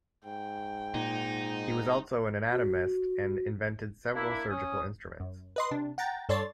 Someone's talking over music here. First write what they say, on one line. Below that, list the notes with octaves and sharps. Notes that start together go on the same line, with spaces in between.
He was also an anatomist and invented several surgical instruments.
G#2 G5
A#2 D#4
F#4
A#3 D4 E4
C#4 D#6
F#2
B4 D#5 C6
C3 D4
F#5 G5 A#5 A6
G2 A4 C#5 D5 C6 A6